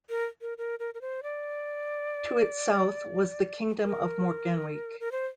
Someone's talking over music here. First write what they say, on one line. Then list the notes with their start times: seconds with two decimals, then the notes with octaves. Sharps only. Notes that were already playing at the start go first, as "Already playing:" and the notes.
To its south was the Kingdom of Morgannwg.
0.10 A#4
0.41 A#4
0.58 A#4
0.79 A#4
0.94 A#4
1.01 C5
1.23 D5
3.82 A#4
5.00 A#4
5.12 C5